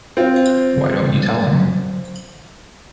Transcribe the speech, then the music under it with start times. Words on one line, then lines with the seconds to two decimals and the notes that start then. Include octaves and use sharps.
Why don’t you tell him?
0.17 C4 F4